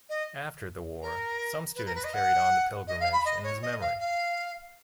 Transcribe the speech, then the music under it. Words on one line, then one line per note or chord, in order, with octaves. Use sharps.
After the war, some students carried on the pilgrimage in his memory.
D#5
A#4
B4
A#4
B4
D#5
F#5
D#5
F5
B5
D#5
C#5
D#5
F5
F5